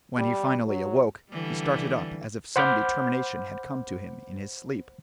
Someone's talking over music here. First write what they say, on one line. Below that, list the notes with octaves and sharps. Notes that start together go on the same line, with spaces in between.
When he finally awoke, he started up as if some determination had come to him in his sleep.
G3
F#3
D3 E3 G3
C5 F#5 B5 D6 F6 G6